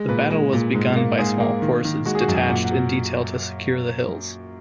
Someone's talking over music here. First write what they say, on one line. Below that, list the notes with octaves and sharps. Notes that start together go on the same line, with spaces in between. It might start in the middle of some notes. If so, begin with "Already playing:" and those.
The battle was begun by small forces detached in detail to secure the hills.
Already playing: G#3
A#2 B4
G#3
A#2
G#2
A#3
G#2 G#4
A#3
D#3
D#3
G#3 F#4
G#4
F#4
F#2
G#4
A#2 F#5
F#5
F#3